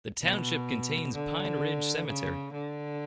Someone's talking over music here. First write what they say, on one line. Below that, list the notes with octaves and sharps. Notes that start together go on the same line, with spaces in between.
The township contains Pine Ridge Cemetery.
B2
D3
C#3
D3